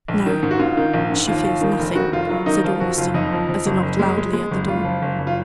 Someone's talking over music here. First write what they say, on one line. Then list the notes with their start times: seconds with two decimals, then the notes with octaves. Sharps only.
"No; she fears nothing," said Ormiston, as he knocked loudly at the door.
0.08 A#1
0.26 D#3
0.43 G#2
0.51 F#4
0.59 G#2 F4
0.77 D#3
0.94 A#1
1.10 G#2
1.27 D#2 F4
1.44 D#2
1.61 D#3
1.79 F1
1.96 D#3 F#4
2.12 F1 F4
2.29 F#3 F4
2.46 D#3 D#4
2.64 F3 F4
2.80 F2 F#4
2.98 F#1 F4
3.14 F2 D#4
3.32 F3
3.49 F2
3.66 F#1
3.83 F#1
3.99 G#3
4.17 G#3
4.33 G#3
4.51 F#1
4.68 F#1 F4
4.84 F3
5.02 F#1
5.19 F#1
5.27 F4